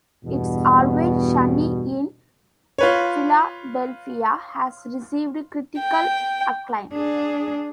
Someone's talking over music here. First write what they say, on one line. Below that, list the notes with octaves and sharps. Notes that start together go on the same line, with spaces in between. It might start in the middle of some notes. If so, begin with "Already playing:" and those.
"It's Always Sunny in Philadelphia" has received critical acclaim.
E2 G2 B2
F4 B4 C#5
G5
D4 G#4